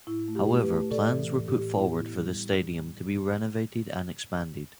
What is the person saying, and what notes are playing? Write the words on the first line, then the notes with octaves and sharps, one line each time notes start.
However, plans were put forward for the stadium to be renovated and expanded.
A2 E4
A3
G4
A3
G4 B4
A3
A2 A4 D5
E3
A2
G4
A2
B3 E4
A2
G3